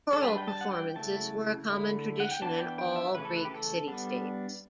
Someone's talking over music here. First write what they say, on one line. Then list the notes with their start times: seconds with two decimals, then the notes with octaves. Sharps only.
Choral performances were a common tradition in all Greek city-states.
0.13 A4
0.23 G3 D4 B4
0.38 G5
0.48 A5
0.61 F#5
0.71 G5
0.95 C#3 F#3 A3 E4 A5
1.69 D3 A3 E4
2.20 F#5
2.31 G5
2.41 E3 B3 D4 A5
2.60 G5
2.78 G5
2.96 E5
3.14 C#3 E3 A3 C#4 B4
3.25 A4
3.36 B4
3.45 G4
3.51 A4
3.87 G3 B3 D4